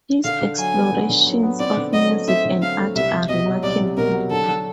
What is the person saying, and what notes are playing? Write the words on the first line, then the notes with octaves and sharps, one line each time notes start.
His explorations of music and art are remarkable.
D3 F5
D3
F#3 G#5
B3
D3
D3
F#3
B3
C4 D5
D3
F#3 D#5
A3
C4 E5
D3
F#3 F5
A3
C2 E5
C2
B2 D#5
F#3
C2 D5
C2
B2 A#4
F#3
D3 A4
D3